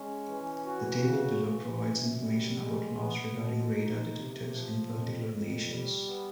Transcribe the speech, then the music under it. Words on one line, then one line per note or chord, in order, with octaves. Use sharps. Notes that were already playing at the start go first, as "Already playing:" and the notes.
The table below provides information about laws regarding radar detectors in particular nations.
Already playing: G#3 C#4
E3
F#4
C#3
E3
F#2
G3
G#3
B3
B2
D#4
C3
F3
F2
F2
G3
B3